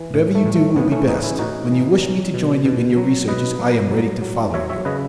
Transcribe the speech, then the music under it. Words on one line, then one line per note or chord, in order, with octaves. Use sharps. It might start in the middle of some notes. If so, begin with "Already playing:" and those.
Whatever you do will be best; when you wish me to join you in your researches, I am ready to follow you.
Already playing: E3
A2
A3
A2
A3
A2 B3
A3 C#4
E3 B3 D#4
C#4 E4
A2 D#4 F#4
E3
F#3
B2
B2
F#3
B2 B4 D#5
F#3
F#3
F#3
F#3 C#5 E5
C#5 E5
C#3 B4 D#5